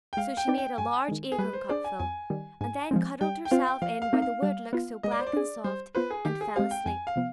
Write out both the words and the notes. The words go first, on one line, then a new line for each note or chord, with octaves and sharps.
So she made a large acorn-cup full, and then cuddled herself in where the wood looks so black and soft, and fell asleep.
G5
G#3 F5
G5
C4 D#4 B4 D5
G5
G2 G#5
D#3 G#3
G#4
G3 B4
C5
D4 G#4 C5 D5
G#5
F2 G#5
D#3 G3
G#2 G#5
F3 G#3 C4
G3 G5
G5
C4 F4 C5 F5
G5
F3 F5
F5
C4 D#4
F5
G3 F5
B3 F4
G#3 D#5
D5
C5
D5
D4 G#4
G3 C5
B3 F4 B4 C5
G#4
D#3 G4
G#4
G#3 C4 G4 C5 F5
G5
F2 G#5
F5
C3 F3 B3